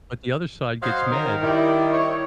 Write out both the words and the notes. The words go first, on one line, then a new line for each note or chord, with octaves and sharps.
But, the other side gets mad.
F#3 C5 D#5 F5
D#3 A#4
G3 E4
C#5